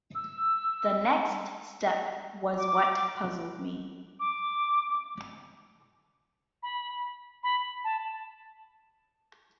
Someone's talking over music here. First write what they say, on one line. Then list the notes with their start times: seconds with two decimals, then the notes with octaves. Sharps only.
The next step was what puzzled me.
0.15 E6
2.58 D6
4.20 D6
6.63 B5
7.43 B5
7.84 A5